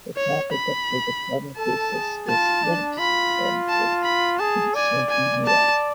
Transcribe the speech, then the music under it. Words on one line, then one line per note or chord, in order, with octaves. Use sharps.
The topic of her diploma thesis is lynx occurrences in Slovenia.
C#5
B5
A4 A5
G#4
F4 A5
D4
F4 B5
A5
B5
G#4 A5
D5 G#5
G#5
A5